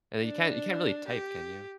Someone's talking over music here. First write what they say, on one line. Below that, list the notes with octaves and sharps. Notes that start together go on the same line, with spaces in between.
And then you can't you can't really type, can you?
D4
G4